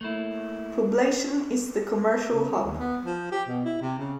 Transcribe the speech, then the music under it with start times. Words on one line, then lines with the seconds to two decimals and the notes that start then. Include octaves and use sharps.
Poblacion is the commercial hub.
0.01 A3 A#3 E4
2.34 C#3
2.50 G#3
2.64 D#2
2.79 B3
3.05 F3
3.32 G4
3.48 B2
3.64 E4
3.81 C3
3.98 C#3